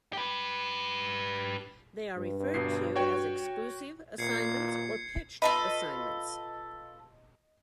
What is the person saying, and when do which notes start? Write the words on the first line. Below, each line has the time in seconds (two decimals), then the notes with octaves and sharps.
They are referred to as "exclusive" assignments or "pitched" assignments.
0.13 G4 B4
2.17 G2
2.54 G1 B2 C7
2.96 F#4 C#5 G5
4.18 A#2 G#6 C7 C#7
5.42 F4 A4 B4 D#5